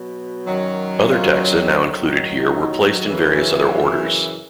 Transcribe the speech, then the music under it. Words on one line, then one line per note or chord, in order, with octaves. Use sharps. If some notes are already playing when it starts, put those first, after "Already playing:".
Other taxa now included here were placed in various other orders.
Already playing: B2 F#3
F#2 D#3 F#3
F4
F#2 D#3 F#3
D#4
F#2 C#3 E3